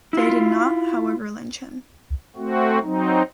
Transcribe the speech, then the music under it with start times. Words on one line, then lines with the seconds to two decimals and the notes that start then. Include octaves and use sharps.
They did not, however lynch him.
0.13 E4 F4
2.36 A3 C4 F#4
2.83 F#3 C4 D#4